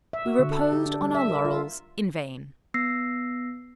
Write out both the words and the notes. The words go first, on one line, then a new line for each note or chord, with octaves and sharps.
We reposed on our laurels--in vain.
E5
F#4
D3
A4
G4
D4
G3
E5
A#4
F4
B3 E6 A#6 C7